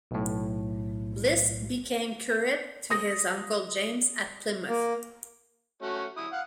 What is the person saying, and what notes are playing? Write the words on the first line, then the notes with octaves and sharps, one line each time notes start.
Bliss became curate to his uncle James at Plymouth.
B1 A2
D#6 A#6
A#3
A3 C#4 F#4
E4 D#6
F5 F#5